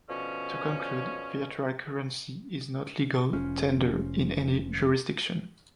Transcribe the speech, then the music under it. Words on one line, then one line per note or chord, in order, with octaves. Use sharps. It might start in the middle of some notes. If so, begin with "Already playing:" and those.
To conclude, virtual currency is not legal tender in any jurisdiction.
B2 D3 F3 C#4
F1 F3 C#4